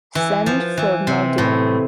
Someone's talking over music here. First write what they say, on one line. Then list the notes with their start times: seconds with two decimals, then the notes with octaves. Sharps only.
Send for Muldoon!
0.15 E3
0.46 F3
0.77 E3
1.07 C3
1.38 A2